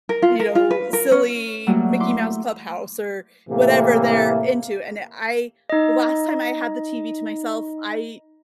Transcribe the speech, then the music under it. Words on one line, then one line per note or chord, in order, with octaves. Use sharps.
you know, silly Mickey Mouse Clubhouse, or whatever they're into, and e I the last time I had the TV to myself, I
A#4
F4
A#4
F4
B4
A#4
C#4
F#3 G3 A3 A#3 F#4
E4 C6 D6
A2 C3 E3 A3 A#3
D#4 D#5